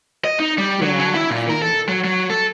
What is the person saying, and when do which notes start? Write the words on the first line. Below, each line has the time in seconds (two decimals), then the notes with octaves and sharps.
Yeah, same.
0.24 D#5
0.40 D#4
0.58 G3
0.82 F#3
1.00 F#3
1.14 E4
1.30 A#2
1.49 A#4
1.62 A4
1.89 F#3
2.04 F#3
2.30 A4